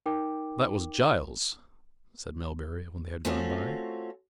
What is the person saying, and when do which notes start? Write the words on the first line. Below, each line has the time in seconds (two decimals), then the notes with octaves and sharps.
"That was Giles," said Melbury, when they had gone by.
0.06 D#4 A#4 G5 D6
3.25 A3 C4 C#4 F4 F#4